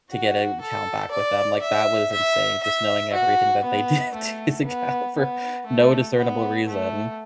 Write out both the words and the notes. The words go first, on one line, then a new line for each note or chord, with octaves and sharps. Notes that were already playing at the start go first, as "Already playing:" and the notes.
to get an account back with them. Like, that was insane, just knowing everything that they did to his account for no discernible reason.
F#4
A4
D5
E5
E5
E5
F#4
B3
A3
B3
B3
A3
B3
A3